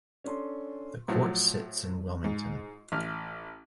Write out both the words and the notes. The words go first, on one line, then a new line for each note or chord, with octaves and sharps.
The Court sits in Wilmington.
C#4 D4 A4 C6
A2 F3 F#3
G#2
A1 F6